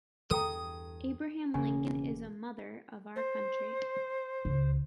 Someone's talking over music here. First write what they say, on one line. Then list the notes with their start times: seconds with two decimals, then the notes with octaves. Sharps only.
Abraham Lincoln is a 'mother' of our country.
0.31 E2 G2 A4 G5 A#5 D#6
1.54 E1 C#3 A#3 G#5
3.15 C5
4.45 C#2